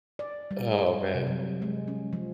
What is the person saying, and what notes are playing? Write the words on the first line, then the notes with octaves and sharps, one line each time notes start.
Oh man.
D5
G3
C3
F#3
G#3
C#4
F3